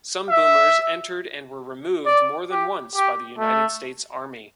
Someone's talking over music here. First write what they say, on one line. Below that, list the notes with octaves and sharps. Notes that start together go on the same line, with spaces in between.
Some Boomers entered and were removed more than once by the United States Army.
E5
D5
G4
G4
A3